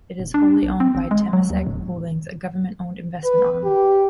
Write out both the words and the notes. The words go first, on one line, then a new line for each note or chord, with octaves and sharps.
It is wholly owned by Temasek Holdings, a government-owned investment arm.
D1
D4
B1
C4
G#1
G#3
F#3
D#2
D1
B4
G4